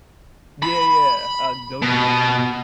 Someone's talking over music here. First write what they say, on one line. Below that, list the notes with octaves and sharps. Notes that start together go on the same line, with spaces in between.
Yeah, yeah. Uh, Goyte,
B5
B2